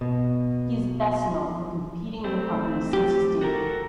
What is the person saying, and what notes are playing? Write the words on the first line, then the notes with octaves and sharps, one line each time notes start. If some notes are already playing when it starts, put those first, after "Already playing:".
He is best known for competing in the company since his debut.
B2
A3 C4
G4
F#4 A4 A#4